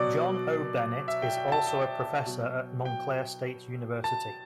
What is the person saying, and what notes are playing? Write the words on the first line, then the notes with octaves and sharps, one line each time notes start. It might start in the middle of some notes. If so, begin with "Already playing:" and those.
John O. Bennett is also a professor at Montclair State University.
Already playing: B2 F#3 D5
E5
G5
G5
A5
G5
B2 F#3
G5
A5